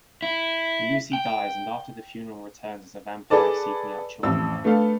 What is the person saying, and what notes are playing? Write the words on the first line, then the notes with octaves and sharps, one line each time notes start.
Lucy dies and after the funeral returns as a vampire seeking out children.
E4
G5
G#4 A4 B4 D5 A5
A1 F2 E6
A3 B3 D4 A4 F5